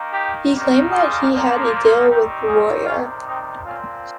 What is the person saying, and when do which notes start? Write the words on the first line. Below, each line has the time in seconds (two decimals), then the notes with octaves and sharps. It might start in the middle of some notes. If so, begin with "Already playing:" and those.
He claimed that he had a deal with Royer.
Already playing: D#3 A#3
0.13 D#4 G4
0.51 D#3 G3 A#3
0.91 F4 G#4
1.30 A#2 F3 A#3
2.08 D#3 G3 C4 D#4 G4
2.48 F4 G#4
2.86 C3 D#3 G3 C4 C#4 F4
3.26 C4 D#4
3.65 A#2 F3 C4 C#4 F4